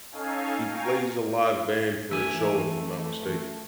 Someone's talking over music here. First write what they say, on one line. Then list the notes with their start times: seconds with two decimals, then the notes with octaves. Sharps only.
He plays a live band for a show, if I'm not mistaken.
0.12 C#4 D#4 A4 F5 G#5
0.68 F5 G5 G#5 A#5 C#6
2.11 E3 A3 E5 G#5